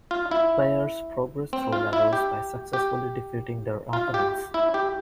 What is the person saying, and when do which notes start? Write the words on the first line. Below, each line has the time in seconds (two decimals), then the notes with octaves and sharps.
Players progress through levels by successfully defeating their opponent.
0.11 F4
0.31 E4
1.53 C4
1.73 F4
1.93 E4
2.13 G4
2.73 G4
3.93 F4
4.14 G4
4.54 E4
4.74 G4